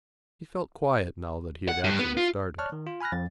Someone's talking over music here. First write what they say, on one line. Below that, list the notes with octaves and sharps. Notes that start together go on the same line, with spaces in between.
He felt quiet now that he had actually started.
F#5
G2
B3
F4
C#5 D5 A5 C#6 F6 F#6
D#3
F4
G#5 B5 F6 F#6 A#6
F2 F3 A6